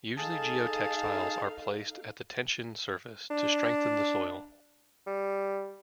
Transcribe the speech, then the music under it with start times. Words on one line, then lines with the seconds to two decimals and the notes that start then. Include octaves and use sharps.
Usually geotextiles are placed at the tension surface to strengthen the soil.
0.17 D#4 G#4 A4 F5 A5
3.30 D4
5.07 G3